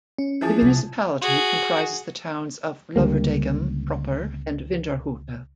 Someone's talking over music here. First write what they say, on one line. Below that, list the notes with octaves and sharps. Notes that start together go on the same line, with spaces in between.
The municipality comprises the towns of Lovendegem proper and Vinderhoute.
C#4
E3 F3 G#4
C3 G3
F#4 G#4
C#2 D3 G3 A#3